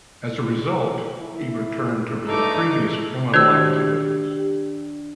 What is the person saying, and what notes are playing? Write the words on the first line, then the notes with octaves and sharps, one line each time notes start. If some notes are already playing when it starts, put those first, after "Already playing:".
As a result, he returned to his previous criminal activities.
E4
G2 A3 D#4 D6
D#3 D4 F#4 G4 C5 E6 G#6